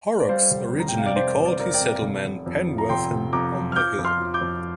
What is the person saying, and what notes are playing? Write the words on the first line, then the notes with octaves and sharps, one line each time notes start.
Horrocks originally called his settlement "Penwortham-on-the-Hill".
D5
G3 C5 F5
F1
F2
A#5
G5
C3 F5
D5
G3 C5
F1
D5
C5
F2 A#4 D5
D5 G5
C3
F1
F1
F2
F3
A#5
F1 G5 C6
F1
F2 A#5 D6
F3
F6
F3 D6 G6
F2
C6 F6
F3
D6 G6
F2